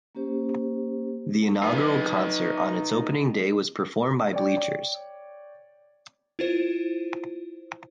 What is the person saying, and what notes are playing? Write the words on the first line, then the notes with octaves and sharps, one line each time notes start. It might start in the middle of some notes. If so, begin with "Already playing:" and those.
The inaugural concert on its opening day was performed by Bleachers.
A#3 C#4 G4 C5
D#4 B4
C#5 D5 G5
E4 F4 C5